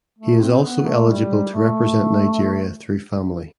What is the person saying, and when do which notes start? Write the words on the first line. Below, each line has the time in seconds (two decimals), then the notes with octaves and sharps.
He is also eligible to represent Nigeria through family.
0.19 A3
0.40 C4
0.63 B3
0.86 A3
1.08 G3
1.54 A3